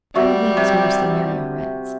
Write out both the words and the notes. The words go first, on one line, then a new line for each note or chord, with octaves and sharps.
We Lees mostly marry Aurettes.
G3 F#4 E5 G5
C3